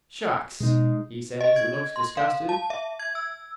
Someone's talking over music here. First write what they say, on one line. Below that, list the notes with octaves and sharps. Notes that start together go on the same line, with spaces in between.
"Shucks!" he says, and looked disgusted.
B2 G#3 D#4
D#5
G#6
C6
F5
A5
E5
G#6
E6